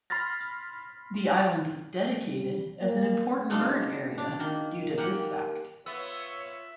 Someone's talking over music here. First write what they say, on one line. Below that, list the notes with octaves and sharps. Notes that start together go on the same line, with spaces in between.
The island was dedicated as an Important Bird Area due to this fact.
B5 C6 F6 A6 A#6
G3
A#3
C#3 F#3 B3 D4 D#4 F4
D4
D#3 A#3
A#3 G4 F#5 G#5
B3 F4 C#5 E5 E6